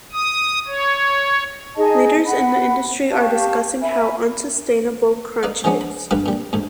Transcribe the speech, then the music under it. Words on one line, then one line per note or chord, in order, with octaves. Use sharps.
Leaders in the industry are discussing how unsustainable crunch is.
D#6
C#5
D#4 G#4 D#5 A5
F#5 B5
G4 F5 A5 C#6
E5 G#5 B5
D#4 B4 D5 F5
E3 F3 G#3 B3 C#4 D4
B5
D2 G2 D3 G3 B4 F5
A#2 G3
D2 G#2